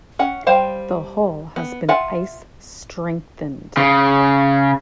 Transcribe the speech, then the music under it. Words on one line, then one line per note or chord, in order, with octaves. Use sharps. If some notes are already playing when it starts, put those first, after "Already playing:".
The hull has been ice-strengthened.
C#4 F#5
G3 C5 F5 G5
B3
F4 E5 F#5 G#5
C#3